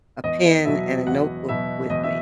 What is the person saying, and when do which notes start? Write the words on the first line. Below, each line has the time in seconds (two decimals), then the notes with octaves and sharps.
a pen and a notebook with me
0.24 E2 D#5
0.65 B2 F#3 E5
1.07 E2 F#5
1.49 B2 F#3 E5
1.90 E2 D#5
2.03 E5